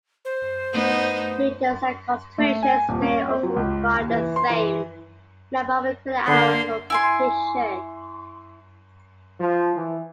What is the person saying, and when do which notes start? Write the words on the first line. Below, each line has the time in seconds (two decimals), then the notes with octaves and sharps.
Majors and concentrations may also require the same number of credit hours for completion.
0.25 C5
0.73 A3 B3 D#4
2.38 A3
2.63 G#5
2.89 D#1
3.02 C#4
3.29 C4
3.43 F#3
3.56 C#2
3.94 D#2
4.10 E3
4.36 C6
4.50 E3
6.28 D3 A#3 C6
6.90 E4 G#5 C6
9.40 F3
9.77 E3